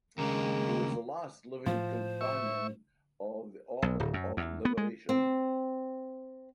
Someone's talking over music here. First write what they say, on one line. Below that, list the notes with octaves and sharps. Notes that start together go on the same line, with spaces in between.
He was the last living Companion of the Order of Liberation.
D#2 C#3 G#3 A#3
A2 F3 A3 C5
E5 C#6
B1
D1
F#2
E2
B3
G#3
C4